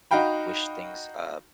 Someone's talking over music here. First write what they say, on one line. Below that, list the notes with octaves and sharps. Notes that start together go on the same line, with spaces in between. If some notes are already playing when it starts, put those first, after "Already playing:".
wish things, uh,
D#4 F#4 F5 G5 B5